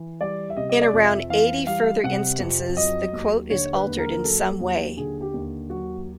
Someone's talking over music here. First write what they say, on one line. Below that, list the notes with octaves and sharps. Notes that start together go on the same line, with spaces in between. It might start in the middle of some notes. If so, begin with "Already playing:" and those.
In around eighty further instances, the quote is altered in some way.
Already playing: E3
G3 D5
E5
C3 D#5
D#5
D5
F2
E5
E3 F5
G3 F5
C3 F#5
F2
F#3 D#5
D#2
D3 C#5
B4
D#2
A#4
A#4
F#3 A4
D#2
D3 G#4
G4
D#2
F#3 F#4